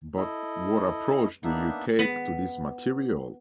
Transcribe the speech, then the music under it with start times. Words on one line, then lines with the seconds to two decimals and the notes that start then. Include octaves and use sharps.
But what approach do you take to this material?
0.17 E4 A4 D#5
1.44 A#3 B3 D4 D#4 E5
1.99 B3